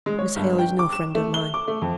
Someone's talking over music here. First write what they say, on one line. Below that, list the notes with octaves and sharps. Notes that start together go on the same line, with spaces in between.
'Miss Hale is no friend of mine.
G#3
C#5
G1
G5
D6
E7
A3
G7
D6
A3
F2